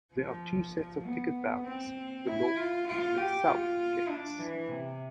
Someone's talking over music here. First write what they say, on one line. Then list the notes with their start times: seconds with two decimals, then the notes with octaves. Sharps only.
There are two sets of ticket barriers: the "north" and "south" gates.
0.14 F3
0.75 F3
1.05 B3
1.66 C4
2.27 E4
2.57 F4
2.87 F4
3.17 G4
3.47 F4
4.08 D4
4.39 E3
4.69 C3